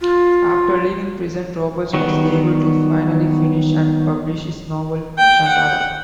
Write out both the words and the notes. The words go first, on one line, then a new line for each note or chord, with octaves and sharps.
After leaving prison, Roberts was able to finally finish and publish his novel, "Shantaram".
F4
D#3 F#3 G3 B3
G5
F#5